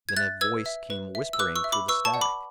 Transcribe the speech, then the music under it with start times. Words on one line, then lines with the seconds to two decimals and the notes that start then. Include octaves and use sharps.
Then a voice came whispering through the static.
0.09 G#6
0.16 E5 F#6 A6
0.41 B4 E6 G#6
0.66 E5
0.90 B4
1.15 E5
1.33 E6
1.39 B4 D6 F#6
1.56 C#6 E6
1.64 E5
1.72 B5 D6
1.88 B4 C#6 E6
2.05 A5 C#6
2.14 D5 F#5
2.21 B5 D6